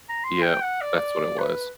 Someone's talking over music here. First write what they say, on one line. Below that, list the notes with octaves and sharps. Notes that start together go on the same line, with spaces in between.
Yeah, that's what it was.
A#5
C6
G5
F#5
D5
B4